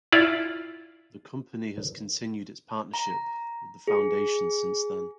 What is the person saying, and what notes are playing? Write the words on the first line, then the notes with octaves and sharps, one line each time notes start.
The company has continued its partnership with the Foundation since then.
E4 F4 D5
A#5
G#4